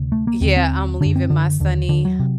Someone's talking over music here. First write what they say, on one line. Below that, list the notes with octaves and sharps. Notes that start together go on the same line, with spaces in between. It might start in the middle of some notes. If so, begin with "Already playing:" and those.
yeah, I'm leaving my sunny
Already playing: D2 C3
A3
A#3
D#2 D3 C4
C4
F#2 D3 D4
C4
D3
D#2 D3
D3
F#3
C3